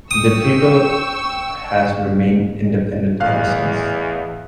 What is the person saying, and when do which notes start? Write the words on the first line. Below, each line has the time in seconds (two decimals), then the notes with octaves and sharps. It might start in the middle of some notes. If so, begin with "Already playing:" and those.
The paper has remained independent ever since.
0.11 G5 C#6 D#6 E6
3.20 A1 E2 F5 F#6